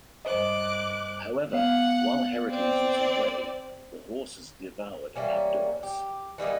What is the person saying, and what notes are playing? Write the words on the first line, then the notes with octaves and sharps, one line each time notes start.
However, while Heracles was away, the horses devoured Abderus.
G2 C5 D#5 D6 F#6
B3 F5 F#5
C4 D5
E3 G3 A#3 C#4
G4
E3 G3 A#3 D#4